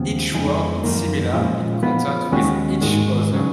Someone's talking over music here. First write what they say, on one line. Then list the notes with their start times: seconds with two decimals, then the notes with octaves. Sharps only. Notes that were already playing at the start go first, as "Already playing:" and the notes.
Each world is similar in content with each other.
Already playing: D#2 C#3 F3 B3
0.34 F2 F3 G#3 D#4 G#4
0.84 F#2 D#3 A#3
1.33 A#2 F3 G#3 C#4 F4
1.83 F3 B3 F4
2.32 D#2 D#3 G#3 C#4 F#4
2.81 G#2 D#3 G#3
3.33 C#3 F#3